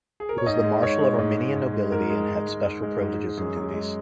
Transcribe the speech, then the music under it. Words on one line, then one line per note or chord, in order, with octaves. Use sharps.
He was the marshal of Armenian nobility and had special privileges and duties.
G#4
A#4
C#5
G#2 D#5
G#3
G#2 C#5
G#3
G#2
G#3
G#2
G#3
G#2 A#4
G#3
G#2
G#3
G#2
G#3
G#2
G#3
F#2 G#4
F#2
G#3